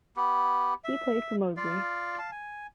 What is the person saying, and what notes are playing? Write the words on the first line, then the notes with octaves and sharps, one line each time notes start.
He played for Moseley.
B3 G4
E5
F4 D5 F5
F5 A5
G#5